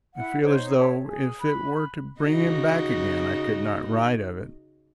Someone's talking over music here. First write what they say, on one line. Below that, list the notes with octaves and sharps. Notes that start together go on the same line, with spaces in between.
I feel as though if it were to bring him back again I could not write of it.
E4 F#5
D#4 C5 C#5
A4 C#5 E5
G#4
B5 F#6
C#3 D#4 F#4